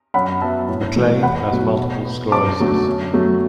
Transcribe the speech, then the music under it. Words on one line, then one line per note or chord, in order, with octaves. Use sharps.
MacLean has multiple sclerosis.
F#2 F#5 B5
F#3 B3 E5 A5
A2
E3 A3
E2 F#5 B5
B2 F#3 A3
B2
B3
F#2 A5 D6
D3 F#3 A3
F#2
F#3 A3